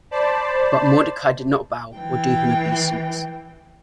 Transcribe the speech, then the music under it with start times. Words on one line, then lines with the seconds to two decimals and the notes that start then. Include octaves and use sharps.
But Mordecai did not bow, or do him obeisance.
0.11 C5 D5 A5 B5
1.96 E3 G5